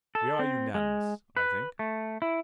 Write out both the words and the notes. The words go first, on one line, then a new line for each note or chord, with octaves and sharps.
We are unanimous, I think.
A4
C4
G#3
B4
A3
E4